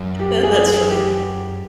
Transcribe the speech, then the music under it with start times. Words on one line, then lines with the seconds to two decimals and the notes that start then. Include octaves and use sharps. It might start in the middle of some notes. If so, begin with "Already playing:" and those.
Yeah, that's funny.
Already playing: F#2
0.19 G4
0.43 G#4
0.66 G#4
0.90 G4